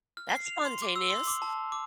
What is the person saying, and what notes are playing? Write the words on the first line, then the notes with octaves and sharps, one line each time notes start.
that's spontaneous.
F6
C7
F7
C6
D6
E6
C6
D6
A5
D6